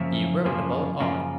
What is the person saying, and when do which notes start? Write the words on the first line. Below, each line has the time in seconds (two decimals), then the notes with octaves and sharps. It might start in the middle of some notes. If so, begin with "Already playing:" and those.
He wrote about art.
Already playing: F#2 C#3 F3 A#3 E5
0.45 F#2 C#3 F3 A#3
1.00 F#2 C#3 F3 A#3